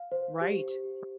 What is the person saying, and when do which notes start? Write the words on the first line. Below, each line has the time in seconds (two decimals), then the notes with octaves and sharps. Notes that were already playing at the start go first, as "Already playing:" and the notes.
Right. R
Already playing: F5
0.12 C5
0.41 G4